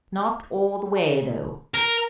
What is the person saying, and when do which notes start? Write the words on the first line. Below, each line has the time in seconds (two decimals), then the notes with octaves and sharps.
Not all the way, though.
1.74 A#4